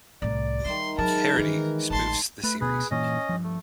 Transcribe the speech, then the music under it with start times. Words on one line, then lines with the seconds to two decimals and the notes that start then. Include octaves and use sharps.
Parody, spoofs the series.
0.22 C2 A2 D5 A#5
0.65 D#3 G3 E4 C6
0.98 G#2 F#3 A#4 A5 B5
1.38 D#3 E3
1.90 A1 D2 A5 C6
2.44 A3 B4
2.61 D2 B2 G#4 B4
2.91 G2 A#2 E3 C#4 D#5
3.29 G2 F3
3.44 A3